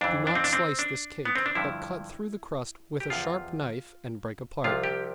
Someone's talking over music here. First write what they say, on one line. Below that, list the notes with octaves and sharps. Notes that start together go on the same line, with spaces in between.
Do not slice this cake, but cut through the crust with a sharp knife and break apart.
F2 E3 D4
D4
C4
D4
C4
D4
B3
C4
D4
G2 D3 F3 E4
G4
E2 C3 F3 F4
C2 C3 F3 F4
G4